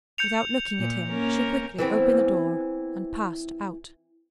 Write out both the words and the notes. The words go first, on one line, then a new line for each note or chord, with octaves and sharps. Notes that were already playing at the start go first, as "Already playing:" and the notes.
Without looking at him she quickly opened the door and passed out.
G6 C#7 F7
A#2
A#3 C#4 A#4
E3 B3 C4